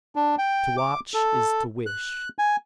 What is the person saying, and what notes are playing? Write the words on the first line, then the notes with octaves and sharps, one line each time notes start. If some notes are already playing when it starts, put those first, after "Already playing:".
To watch is to wish.
D4
G5
D6
A4
F#6
G#5